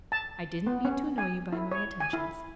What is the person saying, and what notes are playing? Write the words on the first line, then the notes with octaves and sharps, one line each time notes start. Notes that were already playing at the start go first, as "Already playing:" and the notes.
I didn't mean to annoy you by my attentions.
A5
B3
C#4
G#5
E4
C#5
G#5
E4